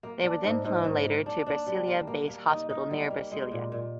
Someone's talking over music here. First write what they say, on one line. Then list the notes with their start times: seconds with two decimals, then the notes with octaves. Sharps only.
They were then flown later to Brasilia Base Hospital near Brasilia.
0.03 A#3
0.23 D4
0.44 G#2
0.64 G#2
0.84 G#2
1.06 A#3
1.26 D4
1.46 D4
1.66 G3
1.88 A#3
2.07 A#3
2.28 A#3
2.49 D#4
2.69 D#4
2.91 G3
3.10 A#3
3.31 G#3
3.51 A#2
3.72 A#2